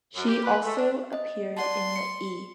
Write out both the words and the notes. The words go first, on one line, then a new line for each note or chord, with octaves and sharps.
She also appeared in the E!
F#2
G4
B4
A3
D4
D#5
D5 F#5 A5 C6
C#7